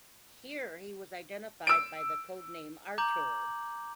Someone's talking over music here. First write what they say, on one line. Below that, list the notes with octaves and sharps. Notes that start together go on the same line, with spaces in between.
Here he was identified by the code name "Artur".
E6 D7
A#5 D6 G6 G#6 F#7